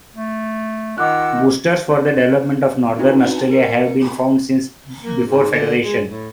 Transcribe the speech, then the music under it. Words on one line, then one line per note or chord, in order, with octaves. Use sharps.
Boosters for the development of Northern Australia have been found since before Federation.
A3
D#3 F4 F#5 D6 E6 F#6
C5
C4 C#4 D#4 E4 F#4 B4
A#4 C#7
A#3
G#2
D3
G#3
A2